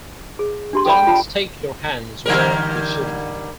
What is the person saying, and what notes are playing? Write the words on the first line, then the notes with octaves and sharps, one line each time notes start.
Don't stick your hands where you shouldn't.
G#4
D4 G4 C6
A4 D5 G5 B5
F4 A5
D3 G3 A#4